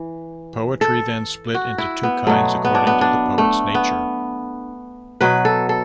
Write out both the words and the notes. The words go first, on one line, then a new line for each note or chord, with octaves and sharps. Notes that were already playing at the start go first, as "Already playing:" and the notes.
Poetry then split into two kinds according to the poet's nature.
Already playing: E3
A4
F#4
E4
B3
B2 F#3 A3
B3
D4
B3
D4
A3
B3
B2 F#3 B4
A4
A4